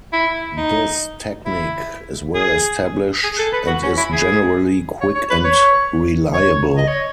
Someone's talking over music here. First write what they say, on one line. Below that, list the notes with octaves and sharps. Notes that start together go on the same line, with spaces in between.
This technique is well established and is generally quick and reliable.
E4
D#4
E4
G#4
G#4
A4
B4
F#4
C#4
E4
G#4
C#5
C#5
B4
C#5
C#5
D#5
C#5